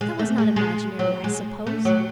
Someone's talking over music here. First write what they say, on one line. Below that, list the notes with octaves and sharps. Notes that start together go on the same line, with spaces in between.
"That was not imaginary, I suppose!"
G#3
A3
G#3
G#3
F#3
G#3
A3
F#3